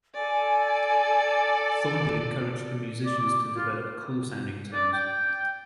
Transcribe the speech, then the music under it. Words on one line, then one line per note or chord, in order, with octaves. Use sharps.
Thornhill encouraged the musicians to develop cool-sounding tones.
A4 D5 G#5
D5
D6
F4
D5
G5